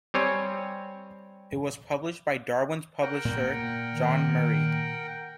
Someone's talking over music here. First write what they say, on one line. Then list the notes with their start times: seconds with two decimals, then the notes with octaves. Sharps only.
It was published by Darwin's publisher John Murray.
0.14 G3 C4 C#5 G#5
3.02 A#4 F#5 G5
3.25 A#2 A#3
3.93 D#3